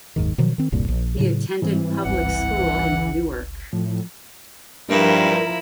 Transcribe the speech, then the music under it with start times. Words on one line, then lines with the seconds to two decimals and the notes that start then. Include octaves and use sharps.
He attended public school in Newark.
0.16 F#1 D#2 G#2 D#3
0.38 B2 D#3 F3 F#3
0.58 D#3 C4
0.72 D#1 C2 G2 A#2
0.88 A#1
1.17 A2 C#3 F#3
1.62 G#2 E3 G3 C4
2.05 G1 C#2 F#5
3.73 A2 F3
4.90 G2 F3 E4 A#4